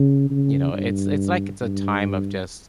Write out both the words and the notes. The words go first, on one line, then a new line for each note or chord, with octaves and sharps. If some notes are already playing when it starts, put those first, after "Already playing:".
you know, it's it's like it's a time of just
Already playing: C#3
C#3
G2
G2